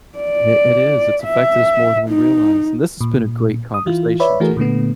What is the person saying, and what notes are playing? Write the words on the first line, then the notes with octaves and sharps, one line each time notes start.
It it is it's affected us more than we realize, and this has been a great conversation too.
D5
E5
D#4
A#2
D#6
E3 E4 F4
B4 C#5 D5 E5 B5
E3 A3 F#4 G#4 A#4
A#2 D3 A3 B3